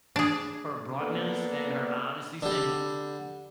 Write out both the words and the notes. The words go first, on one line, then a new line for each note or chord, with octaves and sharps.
her bluntness and her honesty saying,
D4 G#4
A#3 B3 D4 A4
D3 G3